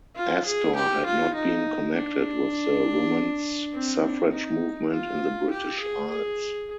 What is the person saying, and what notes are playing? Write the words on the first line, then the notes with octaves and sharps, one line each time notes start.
Astor had not been connected with the women's suffrage movement in the British Isles.
F4
G#4
G4
F4
D#4
D4
C4
D4
D#4
F4
G4
G#4
G#4